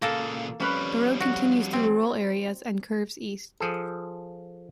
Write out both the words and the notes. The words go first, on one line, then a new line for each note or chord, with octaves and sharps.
The road continues through rural areas and curves east.
A#2 C#3 A#3 A4
F2 G3 C#4 B4
F#4
C4
F3 G#4 A4